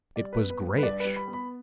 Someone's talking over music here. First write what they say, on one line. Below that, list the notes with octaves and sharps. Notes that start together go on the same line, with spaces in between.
It was grayish.
G3 D5
B4
B3
B4
G2
B4
G2 D5
G3 B4
B5
B3
B5